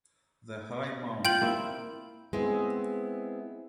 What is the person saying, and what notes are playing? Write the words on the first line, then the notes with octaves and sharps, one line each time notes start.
The high mountain.
F4 G5 G6 F#7
A#3 C4 E4
G#3 B3 C4 E4